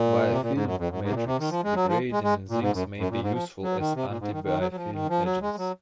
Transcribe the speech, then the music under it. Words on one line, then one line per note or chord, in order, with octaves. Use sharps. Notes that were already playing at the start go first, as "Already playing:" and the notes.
Biofilm matrix degrading enzymes may be useful as anti-biofilm agents.
Already playing: A#2
C3
A#2
G#2
F#2
F2
F#2
G#2
C3
A#2
C3
D#3
F3
G#3
F#3
F3
G#3
G#3
A#2
G#2
F#2
F#2
A#2
G#2
F3
F#3
D#3
C3
A#2
G#2
D#3
D#3
F#3
F#3
F3
D#3
F3
F#3
G#3
F#3